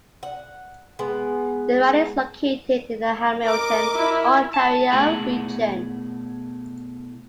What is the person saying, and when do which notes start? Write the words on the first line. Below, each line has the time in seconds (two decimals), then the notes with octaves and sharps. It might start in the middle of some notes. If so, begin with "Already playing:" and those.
The riding is located in the Hamilton, Ontario region.
0.23 F#5
0.99 G#3 B3
3.45 A#4 D#5 D6
3.95 E4
4.54 A5
4.92 B2 A3 E4 G#4 F#5